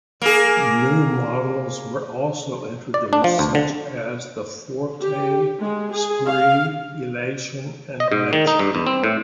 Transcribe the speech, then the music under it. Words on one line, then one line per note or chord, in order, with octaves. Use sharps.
New models were also introduced, such as the Forte, Spree, Elation and Dimension.
A#3 G#4
D5
D4
F3
D2
D3
G4
G#3
G#4
F5
D#5
G#2
D#3
D#4
G2
E2
C4
A2